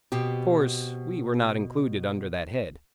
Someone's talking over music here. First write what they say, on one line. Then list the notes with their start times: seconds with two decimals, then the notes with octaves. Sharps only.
Of course, we were not included under that head.
0.12 B2 C4 G4